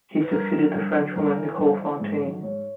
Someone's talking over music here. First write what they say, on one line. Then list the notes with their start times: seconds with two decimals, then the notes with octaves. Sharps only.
He succeeded the Frenchwoman Nicole Fontaine.
0.22 B4
0.31 G2 A#4
0.53 D3 F#3
0.74 G2
0.95 D3 F#3
1.11 B4
1.16 G2 A#4
1.37 E3
1.51 B4
1.58 G2 C5
1.79 E3
2.00 G#2
2.21 D#3 F#3
2.42 G#2 C#5